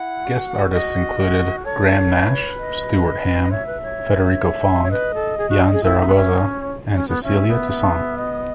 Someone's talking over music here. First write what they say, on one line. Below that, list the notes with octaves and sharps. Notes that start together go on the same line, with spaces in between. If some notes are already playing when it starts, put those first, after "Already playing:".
Guest artists included Graham Nash, Stuart Hamm, Federico Fong, Yann Zaragoza and Cecilia Toussaint.
Already playing: E4 F#5
F#4
D#5
F#4
A4 C#5
B4
D#5
D#5
C#5 E5
B4
C#5
C#5
B4 D#5
A4
G#4
F#4
G#4
E4 E5
D#4
B3
C#4
C#5
C#4
B3
C#4 E5
B3
E5
D#5